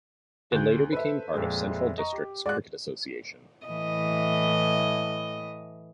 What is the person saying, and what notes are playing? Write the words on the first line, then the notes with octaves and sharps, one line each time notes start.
It later became part of Central Districts Cricket Association.
D2 F#6 G6
A4 B4 C5 E5
F2 A#2 G#3
D#5 A#5 C#6
G4
G#3 F#4 D5 F#6
A2 E3 D#5